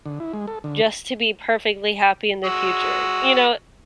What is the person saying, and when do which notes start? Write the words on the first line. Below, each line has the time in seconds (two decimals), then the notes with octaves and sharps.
just to be perfectly happy in the future?" You know?
0.06 D3
0.20 E4
0.33 G#3
0.48 A4
0.64 D3
2.44 G#3 F#4 E6